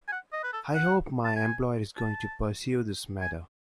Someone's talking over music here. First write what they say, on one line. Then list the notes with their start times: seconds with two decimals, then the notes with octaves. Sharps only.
I hope my employer is going to pursue this matter.
0.08 G#5
0.12 F#5
0.32 D#5
0.44 B4
0.53 A4
0.75 F#5
1.25 A5
1.36 G#5
1.97 A5
3.21 G#5